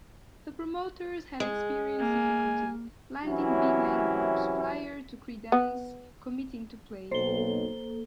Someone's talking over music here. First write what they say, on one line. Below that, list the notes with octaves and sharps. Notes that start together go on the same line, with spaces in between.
The promoters had experienced difficulty landing big-name groups prior to Creedence committing to play.
G#3
A#3 G#5
C3 E3 F#3 C#4 E4
B3
B1 A#3 A4 C5 G7